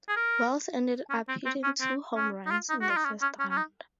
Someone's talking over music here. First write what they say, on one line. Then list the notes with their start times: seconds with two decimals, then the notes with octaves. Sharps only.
Wells ended up hitting two home runs in the first round.
0.09 G#4
0.16 A#4
1.10 C#4
1.28 C4
1.45 C4
1.63 C#4
1.81 C4
2.16 C#4
2.46 D#4
2.51 F4
2.70 D#4
2.81 F#4
2.89 F4
2.97 D#4
3.05 C#4
3.22 C#4
3.39 C#4
3.50 C#4
3.57 D#4